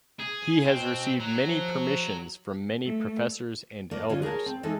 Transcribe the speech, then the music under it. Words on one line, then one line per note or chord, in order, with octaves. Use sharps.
He has received many permissions from many professors and elders.
G#4
B2 C4
F#3
F3
A3
A3 A#3 D5
D3 C#4 F4
G#4 A#4 C#5 A5
C4
E3 G#3 D#4 A4